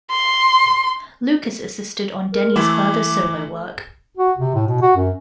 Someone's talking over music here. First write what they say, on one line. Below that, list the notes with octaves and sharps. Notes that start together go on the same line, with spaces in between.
Lucas assisted on Denny's further solo work.
C6
A#4
E3 A3 E4 D6
F#4
C3
A2
B2
F#4
F#2